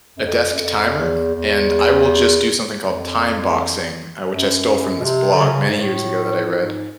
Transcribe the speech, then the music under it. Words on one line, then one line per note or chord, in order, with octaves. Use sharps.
a desk timer, and I will just do something called time boxing, which I stole from this blog many years ago that I read,
F#2
F2
F#2
F2
E2
E2
F2
F#2
B2
C3
D3
C#3
G#2
A2
G#2